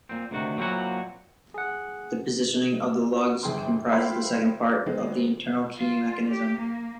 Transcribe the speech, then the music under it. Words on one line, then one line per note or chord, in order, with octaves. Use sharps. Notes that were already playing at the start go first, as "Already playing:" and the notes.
The positioning of the lugs comprises the second part of the internal keying mechanism.
A#2 C4
D2 C3 D#3 F#4
A#2 F#3 C4 E4 F#4
G#4 F#5
G1 G#4 G5 C6
C5 E5 F5 G5 B5 C6
D#3 G#3 B3 C4
F4
G4
A#3